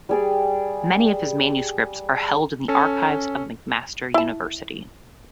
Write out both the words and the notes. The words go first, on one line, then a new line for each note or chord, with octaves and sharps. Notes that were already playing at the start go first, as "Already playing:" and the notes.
Many of his manuscripts are held in the archives of McMaster University.
G3 G#4 D5
C#4 A4
E4 A5